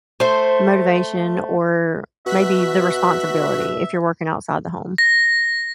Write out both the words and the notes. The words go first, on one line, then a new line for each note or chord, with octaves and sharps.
motivation or, maybe the responsibility, if you're working outside the home,
A3 C5
B2 F#4 E5 F#6 B6
A#6